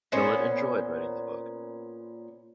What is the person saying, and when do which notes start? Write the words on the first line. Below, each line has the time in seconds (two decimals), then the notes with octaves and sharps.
Millet enjoyed writing the book.
0.12 A#2 B3 C#4 C5